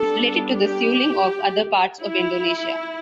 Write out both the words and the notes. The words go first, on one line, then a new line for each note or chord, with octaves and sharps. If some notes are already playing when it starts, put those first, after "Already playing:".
It is related to the suling of other parts of Indonesia.
Already playing: G3 B3 D4 A4
G4
E4